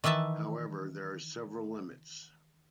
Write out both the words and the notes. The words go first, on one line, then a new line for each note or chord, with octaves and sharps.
However, there are several limits.
D#3 E3 B4 E5 A5